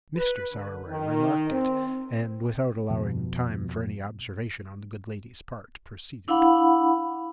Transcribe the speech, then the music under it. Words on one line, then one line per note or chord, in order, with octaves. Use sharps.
Mr. Sowerberry remarked it and, without allowing time for any observation on the good lady's part, proceeded.
B4
D3
D#3
C4
F2 B2 F3
D4 E4 F5 F#5 B5